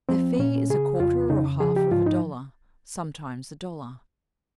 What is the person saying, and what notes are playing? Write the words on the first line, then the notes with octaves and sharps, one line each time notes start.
Their fee is a quarter or half of a dollar. Sometimes a dollar.
F3 C4
A#2 C#4
C#3 G#4
F2 F4
C#3 D#4
F3 G#4
G4
G#2 F4
D#4